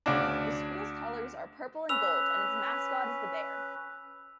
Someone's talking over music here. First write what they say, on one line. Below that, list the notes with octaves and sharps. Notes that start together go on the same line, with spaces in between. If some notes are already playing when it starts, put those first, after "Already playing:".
The school's colors are purple and gold and its mascot is the bear.
D2 C#3 D4
C#4 B4 E6 F7